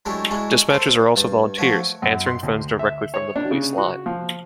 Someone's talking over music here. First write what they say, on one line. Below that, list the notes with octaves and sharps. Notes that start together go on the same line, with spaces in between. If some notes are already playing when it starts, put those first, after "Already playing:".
Dispatchers are also volunteers, answering phones directly from the police line.
F#3 G#3 A3 D4 E4 G4
G#3 D4 E4 F#4
A4 C5
G2
F3 A3 F#4 C#5
F#2
C6
D2
E5
C#5
D4
C#3
F#4
F3